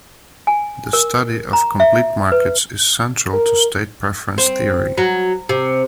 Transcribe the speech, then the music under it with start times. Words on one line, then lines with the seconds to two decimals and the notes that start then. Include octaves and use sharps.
The study of complete markets is central to state-preference theory.
0.47 G#5
0.93 A#4
1.53 A#5
1.80 E5
2.32 B4
3.34 A#4
4.38 C4
4.97 F#3
5.49 C3